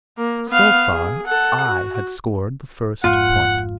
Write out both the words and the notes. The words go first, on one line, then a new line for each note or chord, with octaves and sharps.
So far I had scored the first point.
A#3
B3 F5
G#4
A4 F#5
F#4
G#1 F2 G#2 F4 F#5